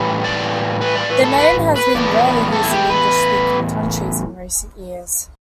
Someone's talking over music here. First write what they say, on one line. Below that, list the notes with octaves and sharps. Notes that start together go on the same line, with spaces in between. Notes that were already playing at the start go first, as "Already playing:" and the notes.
The name has been rarely used in English-speaking countries in recent years.
Already playing: A2 E3 G3
D5
B4
D5
B4
A4
B4
B4
A2 E3 B3 D5
A4
E4
G4
B4